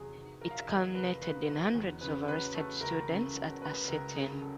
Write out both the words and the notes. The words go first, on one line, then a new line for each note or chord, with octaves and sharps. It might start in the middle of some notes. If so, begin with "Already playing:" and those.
It culminated in hundreds of arrested students at a sit-in.
Already playing: E2 C3 F#3 G#4
D#3
F#3 A#4
F5
E5
E2 D#5
C3 B4
D#3 B4
F#3
E2
C#3 B4
F#3 B4
A3 A4
C#2 A#4
C#3
F#3
A3 B4
C#2 A#4
C#3 G#4
F#3 A4